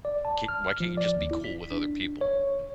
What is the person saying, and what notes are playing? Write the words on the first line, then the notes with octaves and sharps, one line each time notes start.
Ca why can't you just be cool with other people?
D5
A5
F6
F3
D5
D#2
E4
B6
D4
C#5